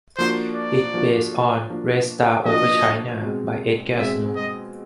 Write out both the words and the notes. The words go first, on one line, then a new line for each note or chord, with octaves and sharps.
It is base on "Red Star Over China" by Edgar Snow.
F3 A#3 D4 F#4 C5
D5
F3 A#3 D4 F#4
F3 A#3 D4 F#4
F3 A#3 D4 F#4 D#5
B2 G#3 C4
B2 G#3 C4 E5
D#5